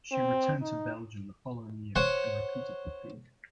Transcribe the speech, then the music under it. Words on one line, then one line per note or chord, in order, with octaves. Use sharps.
She returned to Belgium the following year and repeated the feat.
C4
D#4
C5 C#5 F#5 C6